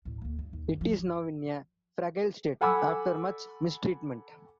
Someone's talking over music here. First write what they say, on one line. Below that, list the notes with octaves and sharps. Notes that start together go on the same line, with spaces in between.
It is now in a fragile state after much mistreatment.
D2 A2
D2 A#3
G2
D#2
F#2 D3
G2 F3
A4 F#5 G#5 B5 D6 E6